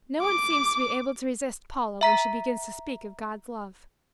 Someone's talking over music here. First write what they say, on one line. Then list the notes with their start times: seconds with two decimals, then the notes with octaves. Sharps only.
No one seems to be able to resist Paula when she begins to speak of God's love.
0.22 D6
2.01 E5 A#5 B6